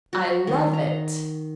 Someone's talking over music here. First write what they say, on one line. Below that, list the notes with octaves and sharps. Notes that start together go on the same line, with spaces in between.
"I love it."
F#4
D#3
A#5